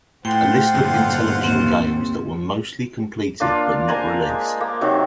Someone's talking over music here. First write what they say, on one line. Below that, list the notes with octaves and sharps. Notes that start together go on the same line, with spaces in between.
A list of Intellivision games that were mostly completed but not released.
A2 F4 C5 F#5 G5
G2 A#2 D3
D#2 G#2 C4
A#3 D4 F4
A#4 C5 G#5 A#5
G#3
A#3
C3 D#3 F#3